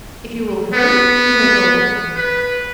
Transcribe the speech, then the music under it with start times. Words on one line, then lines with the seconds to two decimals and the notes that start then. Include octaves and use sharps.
If you will hurry, you may go with him!
0.74 B3
2.16 B4